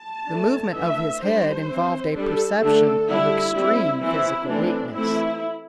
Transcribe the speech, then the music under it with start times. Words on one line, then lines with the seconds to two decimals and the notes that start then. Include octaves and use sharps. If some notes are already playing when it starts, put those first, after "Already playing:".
The movement of his head involved a perception of extreme physical weakness.
Already playing: A5
0.28 E3 A3 D4
0.74 E3 A3 D4 E5
1.21 G3 D4 C5
1.68 E3 C4
2.14 G3 D4 A4
2.61 D3 A3 D4 A4
3.08 D3 G3 D4 E4
3.54 G3 C4 E4
4.01 E3 C4 E4
4.48 E3 A3 C4 D4
4.95 E3 A3 C4 E4